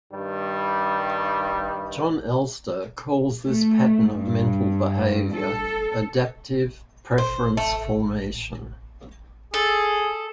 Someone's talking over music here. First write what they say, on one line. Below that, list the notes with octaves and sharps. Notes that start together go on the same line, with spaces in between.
Jon Elster calls this pattern of mental behaviour "adaptive preference formation".
G2 D#3 G3
A3
G2
A4
C5
A3
G#4 A4